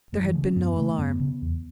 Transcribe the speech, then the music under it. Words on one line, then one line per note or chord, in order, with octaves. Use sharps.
There had been no alarm.
F#2 G#3
E3
C#3 G#3
C#4
F#2 B3
C#3 A3
F#2 B3
C#3
E2